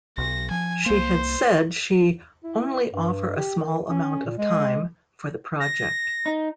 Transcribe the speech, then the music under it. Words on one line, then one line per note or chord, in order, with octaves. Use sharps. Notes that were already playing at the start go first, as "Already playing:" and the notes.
She has said she "only offer a small amount of time" for the project.
B1 A#6
F3 G#5
C2 A#3 C5
E4
G2
G4
D#3
C#4
A#2
G#3
A#6
D#4